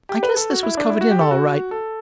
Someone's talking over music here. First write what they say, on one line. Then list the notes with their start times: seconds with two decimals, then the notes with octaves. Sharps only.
I guess this was covered in all right.
0.09 G4
0.23 B4
0.36 A4
0.50 F#4
0.63 E4
0.77 D4
0.90 E4
1.01 F#4
1.11 G4
1.21 A4
1.31 F#4
1.71 A4